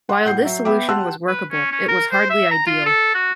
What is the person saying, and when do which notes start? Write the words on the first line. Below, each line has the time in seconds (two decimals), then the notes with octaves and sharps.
While this solution was workable, it was hardly ideal.
0.09 F#5 C6
0.25 A2 F#5 G6 C7
0.45 F#3 E5
0.65 B3 E5 G5 D6
0.89 G4 F#5 A5 C6 E6 F#6
1.28 B4
1.51 C#4
1.71 C#4
1.88 A#4
2.12 C5
2.30 E5
2.51 A#5
2.66 F4
2.86 A4
3.14 F#4